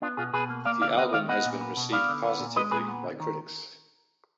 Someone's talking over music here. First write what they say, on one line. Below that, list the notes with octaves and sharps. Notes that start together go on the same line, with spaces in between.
The album has been received positively by critics.
B3 D4 F4
B2 F4 G#4
B2 G#4 B4
A#3
A#3 D5 F5
D3 D5 F5
B3 D#5 F#5
D#3 D5 F5
B3 D#5 F#5
A#2
B3
B2
B3 D5 F5
D3
B3
A#2
G#3 B4 D#5
A#2 G#4 B4
B3
D3
D#3